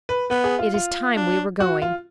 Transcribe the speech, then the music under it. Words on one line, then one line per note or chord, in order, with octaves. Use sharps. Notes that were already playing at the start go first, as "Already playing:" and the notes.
"It is time we were going."
B4
B3 B4
G#4
F4
F4
D4
F#4
F4